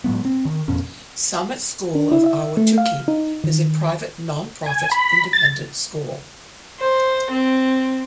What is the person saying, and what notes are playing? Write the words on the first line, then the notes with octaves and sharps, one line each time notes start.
Summit School of Ahwatukee is a private, non-profit, independent school.
A2 F#3 G#3 B3
C4
D#3
A1 F2 B2 C#4
D4
E4
E5
A3
F5
D#4
D#3
G#5
B5
A6
C5
C4